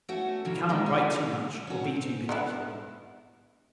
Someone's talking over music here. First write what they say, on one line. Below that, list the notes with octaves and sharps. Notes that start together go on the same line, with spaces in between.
You cannot write too much, or be too particular.
A3 C#4 F#4
D3 E3 F#3 A#3
D#3 G3 G#3 D4
G#4
C#4 F#4
C4
D3 B3 E4